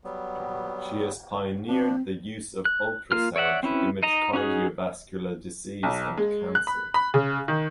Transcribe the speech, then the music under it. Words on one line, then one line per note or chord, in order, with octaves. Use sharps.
She has pioneered the use of ultrasound to image cardiovascular disease and cancer.
F#3 G3 B3
F3 C4 D4
F#6
A#3 F4 F6
C#5 D5 E5 F#5
C4 C#4 E4 B4
D#4 D#5 A#5
C#4 D#4 F#4 G#4
B1
G#3
F#6
B5
B5
C#3
D#3